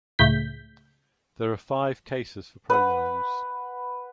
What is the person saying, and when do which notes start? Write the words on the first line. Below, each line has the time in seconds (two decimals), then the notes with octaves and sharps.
There are five cases for pronouns.
0.19 C#2 A2 G6 B6
2.70 B4 F#5